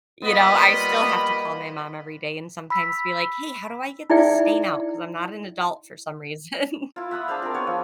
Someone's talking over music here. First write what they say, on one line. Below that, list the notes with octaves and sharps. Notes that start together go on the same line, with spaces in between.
you know, I still have to call my mom every day and sometimes be like, "Hey, how do I get this stain out? 'Cause I'm not an adult for some reason."
G3 A#3 B3 F4 D#5 B5
B5 E6 B6
D#4 E4 G#4 D5 E5 G5
E4 F4
E5 F#5 B5 D#6
D4 G#4 C5 F5
C4 A#4
B3 C#5
F3